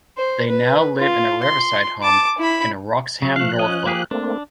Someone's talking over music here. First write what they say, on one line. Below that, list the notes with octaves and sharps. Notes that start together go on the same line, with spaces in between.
They now live in a riverside home, in Wroxham, Norfolk.
C5
B4
F4
C6
A5 D6
E4 B5
C#3 F#3
F3 A3 F5 F#6
C#4 D#5
A#3 G4 G#4
A3 A#3 C4 D4